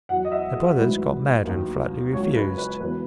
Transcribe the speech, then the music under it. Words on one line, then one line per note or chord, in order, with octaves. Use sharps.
The "brothers" got mad and flatly refused.
E2 B2 F#3 F#5
D#5
E5
G#4
A1 G#2 D#3 F#3 B4
D#2 D#3 F#3
C#2 C#3 F#3 C#5
B4
B4
E1 E2 B2 B4